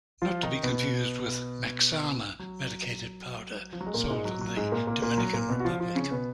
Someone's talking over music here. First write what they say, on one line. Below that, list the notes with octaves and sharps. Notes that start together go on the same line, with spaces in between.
Not to be confused with "Mexana" medicated powder, sold in the Dominican Republic.
F3 F4
D#3 D#4
B2 B3
F#3
F3
F#3
G#3
A#2 A#3
G#2 G#3
F#3
F#3
G#2 G#3
A#2 A#3
A#2 A#3
A#2 A#3
F#3
A#2 A#3
B2 B3
F#4
F3 F4
F3 F4
C#3 C#4
B2 B3